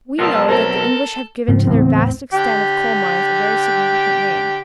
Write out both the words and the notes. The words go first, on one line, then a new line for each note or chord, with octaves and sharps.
We know that the English have given to their vast extent of coal-mines a very significant name.
B1 F4 A#4 A5 D#6 E6
C4 A4 A#4
G#2 C#3 F3 C4
D#2 A2 C#3 E3 B3
D3 G4